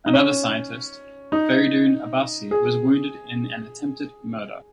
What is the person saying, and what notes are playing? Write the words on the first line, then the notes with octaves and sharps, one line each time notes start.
Another scientist, Fereydoon Abbasi, was wounded in an attempted murder.
D#4
C#4
D#4
G#4